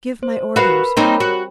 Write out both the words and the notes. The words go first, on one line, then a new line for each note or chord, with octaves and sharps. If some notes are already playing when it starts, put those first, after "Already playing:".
Give my orders.
C5
F#4 A#4 B4 F5 B5
A#3 C4 D#4 A#4 C#5 B5
F#4